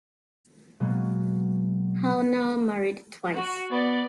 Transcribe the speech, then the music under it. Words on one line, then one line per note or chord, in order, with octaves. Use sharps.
Pownall married twice.
B2 F#3 G#3 A#3 B3
F#4
B3 D5